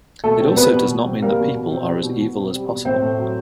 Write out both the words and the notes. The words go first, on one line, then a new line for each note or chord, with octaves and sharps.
It also does not mean that people are as evil as possible.
B2 A3 A4
C4
G3 B3 B4
B2
B2
C4
G3 A#3 A#4
B2
B2
C4
G3
B2
B2
C4
G3
B2
A2 C4 C5
A3
F#3